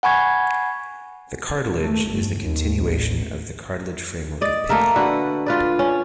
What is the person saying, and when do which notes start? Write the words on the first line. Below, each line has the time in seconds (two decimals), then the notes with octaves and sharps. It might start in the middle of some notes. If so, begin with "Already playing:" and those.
The cartilage is the continuation of the cartilage framework of pinna.
0.03 F#5 G#5 B5 C#6 G#6
1.78 A3
2.09 G1
2.40 D#2
2.76 A1
4.41 D5 D#5
4.69 A3 A#3 A#4 E5
4.96 D3 F#4 B4
5.46 F4 B4 D5
5.79 C#4